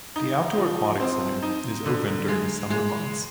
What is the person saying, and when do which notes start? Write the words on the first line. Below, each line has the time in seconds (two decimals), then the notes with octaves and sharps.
The outdoor Aquatic Center is open during the summer months.
0.16 D#4
0.58 F3
1.00 C4
1.42 D#4
1.86 D3
2.28 G#3
2.70 G#3